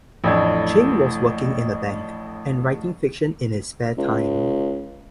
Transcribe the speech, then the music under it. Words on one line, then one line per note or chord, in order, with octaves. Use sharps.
Cheng was working in a bank and writing fiction in his spare time.
A1 F2 A2 D4 G#6
C#2